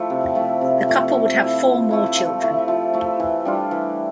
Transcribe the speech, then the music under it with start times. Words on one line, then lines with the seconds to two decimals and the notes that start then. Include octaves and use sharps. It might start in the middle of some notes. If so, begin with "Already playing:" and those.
The couple would have four more children.
Already playing: F3 A3 E4
0.10 C3
0.35 F3 A3 E4
0.61 C3
0.88 F3 A3 E4
1.13 F3
1.39 A3 E4
1.65 F3
1.91 A3 E4
2.16 F3
2.42 A3 E4
2.68 F3
2.93 A3 E4
3.20 E3
3.45 G3 D4 F4
3.71 E3